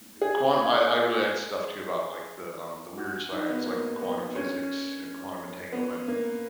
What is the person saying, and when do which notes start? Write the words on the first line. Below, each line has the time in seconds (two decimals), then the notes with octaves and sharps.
uh uh quantum, I I really like stuff too about, like, the, um, the weird science, like, the quantum physics and quantum entanglement.
0.22 G#4
2.98 F#4
3.32 D#4
3.48 B3
3.66 A#3
4.01 B3
4.36 C#4
5.72 B3
6.08 A#3